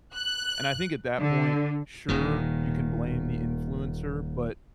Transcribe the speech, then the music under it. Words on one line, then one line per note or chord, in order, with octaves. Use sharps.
And I think at that point, sure, you can blame the influencer, but,
F#6
D3
D#1 A#2 D#3